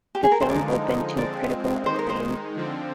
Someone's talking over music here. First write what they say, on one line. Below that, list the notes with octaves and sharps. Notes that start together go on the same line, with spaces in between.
The film opened to critical acclaim.
G4
G#4
A#4
C5
D3 F3 G#3 D#4 D5
F3 G#3 C4 D5
D#3 G#3 D#4 C5
A#4
C5
D3 F3 C4